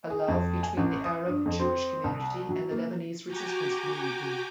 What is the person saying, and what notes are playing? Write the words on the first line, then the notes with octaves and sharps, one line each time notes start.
A love between the Arab Jewish community and the Lebanese resistance community.
G#4
F2
G#5
A1
D#6
G2
F2
C4
C2
F#3
A#3
F#4 G4 G5 G#5 A#5 D6